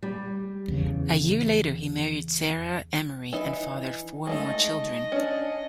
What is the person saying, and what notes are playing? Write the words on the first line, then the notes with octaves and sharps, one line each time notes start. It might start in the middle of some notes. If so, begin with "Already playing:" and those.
A year later, he married Sarah Emery and fathered four more children.
G3
E2 C#3
E3 D#4
G#3 A3 D#4 D#5
C#4 D4